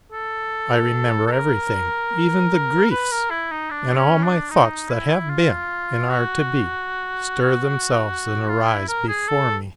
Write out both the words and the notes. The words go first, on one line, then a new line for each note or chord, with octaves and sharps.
I remember everything, even the griefs, and all my thoughts that have been and are to be bestir themselves and arise before me.
A4
A4
A#4
B4
A#4
E4
D#4
D4
C#4
D4
D#4
E4
F4
F#4
F4
E4
A#4
G#4
A4